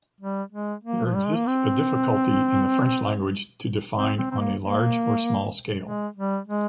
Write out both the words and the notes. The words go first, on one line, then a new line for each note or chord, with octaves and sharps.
There exists a difficulty in the French language to define on a large or small scale.
G3
G#3
A#3
F3
G3
G#3
A#3
C4
C4
C4
C4
A#3
A#3
G#3
G3
G#3